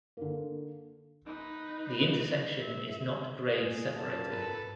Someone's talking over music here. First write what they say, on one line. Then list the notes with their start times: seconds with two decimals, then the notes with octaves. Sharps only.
The intersection is not grade-separated.
0.17 D3 A#3
1.26 D#4 B4
2.60 E5
3.54 A#3 G#4
3.96 F#2 A#2 A5
4.32 G#2 A4 B4